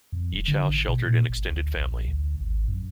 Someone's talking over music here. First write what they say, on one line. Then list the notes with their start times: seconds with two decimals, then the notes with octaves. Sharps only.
Each house sheltered an extended family.
0.12 F2
0.33 E1
0.48 D3
0.69 A1
0.88 B2
1.06 A#2
1.30 G1
1.50 D2
1.76 A#1
2.08 D2
2.40 G#1
2.68 F#2